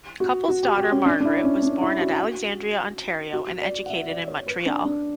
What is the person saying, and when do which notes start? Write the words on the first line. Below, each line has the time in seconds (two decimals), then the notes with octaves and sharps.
The couple's daughter Margaret was born at Alexandria, Ont., and educated in Montreal.
0.20 F#4
0.48 F#4
0.63 G4
0.77 G4
0.92 C#4
1.06 D4
1.20 D4
1.25 E4
1.44 C#4
1.63 D4
1.81 E4
2.00 F#4
3.33 F#4
3.47 F#4
3.62 D5
3.86 F#5
3.90 E5
4.09 D5
4.28 C#5
4.47 B4
4.66 D4
4.85 D4